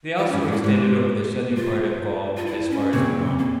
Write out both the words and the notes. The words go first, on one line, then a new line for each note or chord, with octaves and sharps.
They also extended over the southern part of Gaul as far as the Rhone.
F4
G2 C#4
E4
G#2
E4
G#2 G4
F4
F4
E4
C#4
A#2 C#3 C4
A#3